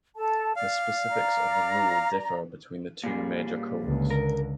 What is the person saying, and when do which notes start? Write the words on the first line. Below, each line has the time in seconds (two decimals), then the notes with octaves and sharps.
The specifics of the rule differ between the two major codes.
0.16 A4 A5
0.56 D5 F5
1.09 D5 A#5
3.04 A#2 G3 G#4
3.81 C#2 D3
4.11 A#4